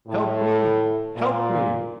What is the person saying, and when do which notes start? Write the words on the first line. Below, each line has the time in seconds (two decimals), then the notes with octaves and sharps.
Help me! help me!'
0.08 A2
1.16 A#2